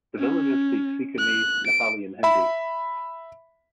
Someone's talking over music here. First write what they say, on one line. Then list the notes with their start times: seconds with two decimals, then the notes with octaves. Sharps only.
The villagers speak Sikkimese, Nepali and Hindi.
0.18 C#4
1.19 F#6
1.67 D7
2.23 E5 B5